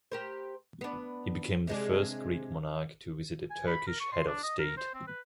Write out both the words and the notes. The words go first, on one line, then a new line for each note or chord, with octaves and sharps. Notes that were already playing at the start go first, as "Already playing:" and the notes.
He became the first Greek Monarch to visit a Turkish Head of State.
G4 A#4 C5
B3 D4
C3 G#3 D4
G#5
B5
A#4
C#6
C6
D4
D#5
A#4
C5
C4
B4